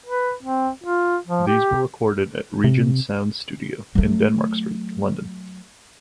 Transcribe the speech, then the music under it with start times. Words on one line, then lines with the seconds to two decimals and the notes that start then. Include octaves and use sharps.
These were recorded at Regent Sound studio in Denmark Street, London.
0.06 B4
0.43 C4
0.84 F4
1.27 F3
1.47 G4
2.64 C3
3.95 F#3 A3